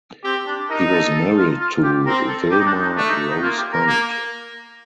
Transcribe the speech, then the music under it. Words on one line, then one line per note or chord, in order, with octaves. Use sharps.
He was married to Vilma Rose Hunt.
C4 G4
D4
D#4 A#4
A4
A4
F4
F4
G4
C4 A#4
A4
G4
D#4
D4
D#4
A3 D4
D#4
D#4
A#3 F4
G4
A#4
A#3